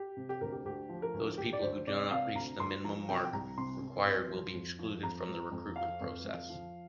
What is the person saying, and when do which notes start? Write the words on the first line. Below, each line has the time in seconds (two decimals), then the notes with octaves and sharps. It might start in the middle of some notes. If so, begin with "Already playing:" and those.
Those people who do not reach the minimum mark required will be excluded from the recruitment process.
Already playing: G4
0.17 C3
0.29 G4
0.41 D2 A#4
0.52 G4
0.65 D2 G4
0.89 F3
1.02 A#4
1.14 D2
1.38 D2 G4
1.53 D5
1.62 D2 C5
1.87 C3 D5
2.11 C3 F5
2.35 D2 A#5
2.60 D2 C6
2.84 F3 A#5
3.09 C3 G5
3.25 G5
3.33 C2 A#5
3.58 C3 C6
3.81 C3
4.06 C2
4.31 F3
4.54 F2
4.79 F3
5.03 F2 A#5
5.28 F2
5.51 F2
5.76 F3 F5
6.01 F2
6.25 F2
6.50 F3